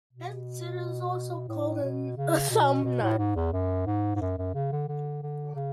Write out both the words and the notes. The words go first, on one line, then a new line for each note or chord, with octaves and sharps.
Hence it is also called a thumb nut.
B2
A2
B2
C#3
B2
B2
A2
G#2
E2
F#2
G#2
G#2
F#2
F#2
C#3
D3
D3
D3
C#3